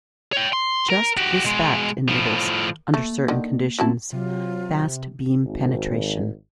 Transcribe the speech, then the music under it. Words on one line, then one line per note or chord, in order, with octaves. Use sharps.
Just this fact enables, under certain conditions, fast beam penetration.
C#5 G5
C6
A#4
F#4 G4
B2 G#3
A2 F3
A3 A#3
D3 D#3
F#3 A3 C4 C#4 E4 A5
C3 F#3 F4
G#1